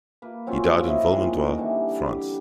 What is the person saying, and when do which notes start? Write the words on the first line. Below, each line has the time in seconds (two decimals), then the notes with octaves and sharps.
He died in Valmondois, France.
0.22 A#3 B4
0.47 F#3 C4 C#4 F4
0.84 E4 D#5
1.11 A#2 D#3 G#3
1.58 D3 E3 G3
2.06 G4